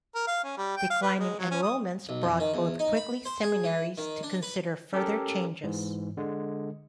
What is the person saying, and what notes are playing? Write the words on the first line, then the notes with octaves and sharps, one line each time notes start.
Declining enrollments brought both Quigley seminaries to consider further changes.
A#4
F5
C#4
G3
G5
F5
B4
G#3
F#3
C#4
D#6
B1
F2
D#3
E2
D#4
B5
C5
G#4
E3
D#3
D4
B4
C#4 G4 A4 A#4
G#2 E3
D3 G#3